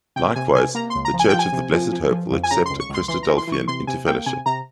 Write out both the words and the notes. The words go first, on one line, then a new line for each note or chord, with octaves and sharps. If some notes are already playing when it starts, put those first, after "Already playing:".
Likewise, the Church of the Blessed Hope will accept a Christadelphian into fellowship.
C3 G5
C3 G#5
C3 G#5
A#3 A#5
C6
C#2
A#5
F3
G#5
F3 G5
G#5
C3
F3
F3
F3
F2
G#5
C#3 A#5
C#2 C6
C#6
C#2
C6
E3 C6
A#5
E3
C6
E3 C#6
C3 C6
C3 G#5
A#3 G5
C3 G#5
C3 A#5